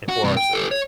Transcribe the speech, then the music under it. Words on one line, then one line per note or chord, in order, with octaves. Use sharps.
and for ourselves.
F#4
G2 C3
G5
G4 A4
C#5